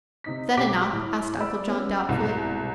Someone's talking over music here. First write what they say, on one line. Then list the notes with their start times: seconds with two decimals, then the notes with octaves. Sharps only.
"Is that enough?" asked Uncle John, doubtfully.
0.24 C3 D#4 B6
0.57 B1 G4 D6 B6
0.91 A2 F6
1.40 D5 B5 E6
1.67 B3 C#4
2.09 C2 G#2 B2